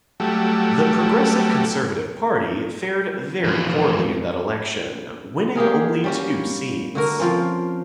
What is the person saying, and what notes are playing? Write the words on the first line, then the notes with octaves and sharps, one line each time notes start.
The Progressive Conservative Party fared very poorly in that election, winning only two seats.
F#3 G3 A3
E3 F3 G#3 B4
A#3 G4 G#4 A#4
G3 C#4 F#4
D3 F#4 A#4
F3 C4 C#4